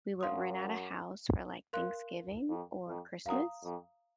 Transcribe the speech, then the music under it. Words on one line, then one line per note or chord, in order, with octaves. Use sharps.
we would rent out a house for, like, Thanksgiving or Christmas,
F#2 F5 C6 D#6
A#4 F5 C6 F#6
F2
F2
F#2 F5 A#5 D#6
F2